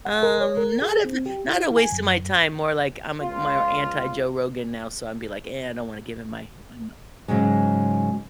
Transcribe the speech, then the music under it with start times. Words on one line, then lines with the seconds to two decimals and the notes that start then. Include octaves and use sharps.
Um, not of th not a waste of my time, more like I'm a m more anti-Joe Rogan now, so I'd be like, "Eh, I don't wanna give him my my m"
0.05 F#5
0.23 A#4
0.40 C#5
0.57 A#4
0.82 G#4
1.05 C4
1.26 G4
1.47 E4
1.77 G#5
1.92 F#2
3.21 C#2 F4
7.28 G#2 C#3 F#3 G#3